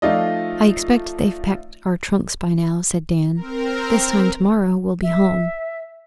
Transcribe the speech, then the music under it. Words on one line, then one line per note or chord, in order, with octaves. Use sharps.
'I expect they've packed our trunks by now,' said Dan. 'This time tomorrow we'll be home.'
F3 A3 D#4 F4 D5 D#5
C4 A#4
E5